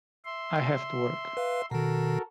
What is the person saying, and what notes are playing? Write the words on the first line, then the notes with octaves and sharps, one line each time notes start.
I have to work.
E5 C6
B4 F5
B2 D#3 F#4 A4 A#4